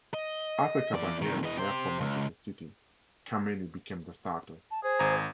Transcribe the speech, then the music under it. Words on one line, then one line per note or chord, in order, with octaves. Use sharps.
After Caballero left for Manchester City, Kameni became the starter.
D#5
E2 D5
C2 D#3
E3 D#5
G4 C5
C#2
A5
G#4 C5
G#1 A#5